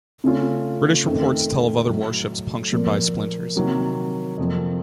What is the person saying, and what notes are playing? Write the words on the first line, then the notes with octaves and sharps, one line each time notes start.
British reports tell of other warships punctured by splinters.
C#3 A3 C#4 F4
F2 D#3 A3 C4
A2 F#3 A3
A#2 F3 A#3
C3 D#3 F#3 A#3
F2 C3 F3 A#3